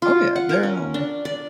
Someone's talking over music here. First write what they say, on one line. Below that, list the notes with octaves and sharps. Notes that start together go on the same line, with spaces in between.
Oh, yeah, they're, um,
F4
F#5
A#4
C#4
D4
D5